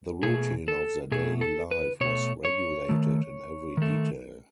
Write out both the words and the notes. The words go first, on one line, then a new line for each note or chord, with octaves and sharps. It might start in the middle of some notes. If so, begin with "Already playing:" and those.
The routine of their daily life was regulated in every detail.
B2 A3 G#4
A4
B2 A3 G#4
A4
B4
B2 A3 C#5
C#5
D#3 A3
D#3 A3